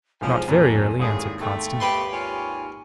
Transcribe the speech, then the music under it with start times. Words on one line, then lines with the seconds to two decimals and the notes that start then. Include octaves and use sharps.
"Not very early," answered Constance.
0.21 B1 E2 F3 G#3 G#5
0.48 F2 A#2 D3 D#3 F#3
1.00 G#1 D#2 A2 G#4
1.41 A3 G5
1.80 G4 B4 C6
2.11 F4 C#5 G#5